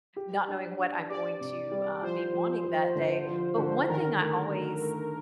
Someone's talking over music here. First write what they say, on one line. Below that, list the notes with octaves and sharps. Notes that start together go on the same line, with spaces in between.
not knowing what I'm going to, uh, be wanting that day. But one thing I always
G4
D4
D4
G4 D5
C3
G3
F3 C5
F3
F3
D3
F3
D3
D#3 A#4
A3
A3
A3